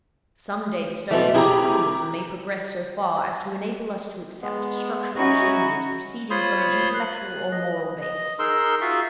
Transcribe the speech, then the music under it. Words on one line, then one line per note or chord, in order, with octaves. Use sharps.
Some day the study of metabolism may progress so far as to enable us to accept structural changes proceeding from an intellectual or moral base.
B2 E3 A3 C4
C3 E4 G4 G#4 A#5
G#3 B3
C#4 D#4 E4 F#4
F4 C5 C#5 B5 C6 D#6
F#6
D#5
D#5
D#4 G#4 A#4 C6 E6
F4 F#4 G#4 E5 F5 C#6